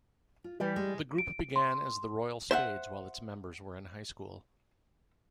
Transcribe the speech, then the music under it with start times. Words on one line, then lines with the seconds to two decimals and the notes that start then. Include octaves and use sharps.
The group began as The Royal Spades while its members were in high school.
0.44 F4
0.60 E3 G3 G4 B4
0.76 G#3
1.18 D7
1.56 C6
2.51 C5 E5 F#5